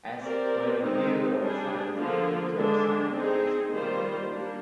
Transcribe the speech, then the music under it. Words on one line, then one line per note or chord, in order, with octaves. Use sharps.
As "point of view of the Sants", the term "Sant" is pivotal.
C4 G4 A#4 D5
D#3 G#3 C4 D#4
G3 D4 G#4
D3 F3 A#3 F4
D3 G#3 D4
C4 D#4 G#4
D#3 G3 A#3 F4 C5
G3 A#3 D4